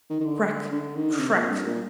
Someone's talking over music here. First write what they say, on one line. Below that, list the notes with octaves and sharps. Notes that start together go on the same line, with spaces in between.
Crack! Crack!
D#3
D#3
D3
D3
D#3
D3
C3
A#2
G2
A#2